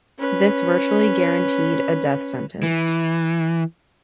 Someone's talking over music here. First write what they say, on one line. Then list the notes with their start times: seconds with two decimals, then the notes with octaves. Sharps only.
This virtually guaranteed a death sentence.
0.19 C#4 B4
2.63 E3